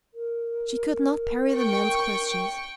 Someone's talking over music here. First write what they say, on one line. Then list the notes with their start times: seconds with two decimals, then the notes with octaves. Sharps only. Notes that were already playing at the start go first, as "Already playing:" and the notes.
She could not parry the man's questions.
0.14 A#4
1.53 G5 C#6